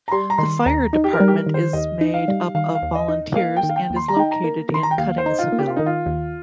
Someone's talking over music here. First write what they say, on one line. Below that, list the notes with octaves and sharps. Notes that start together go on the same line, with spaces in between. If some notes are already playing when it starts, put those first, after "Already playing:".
The fire department is made up of volunteers and is located in Cuttingsville.
A#5
G3 C6
A#5
D#3 C6
D#2 A#5
D#4
G4
A#4
G3
G4
A#4
D#3
C5
D#2 D#5
D#4
F5
G3
D#3 F5
F5
D#2
D#5
D#4
A#3 F5
G5
D#3
F5
G5
D#2
C6
A#5
D#4 G5
A#5
A#3
D#3 C6
A#5
G5
D#2 F5
C5
D#4
F4
A#3
G4
F4
D#3 D#4
F4
D#2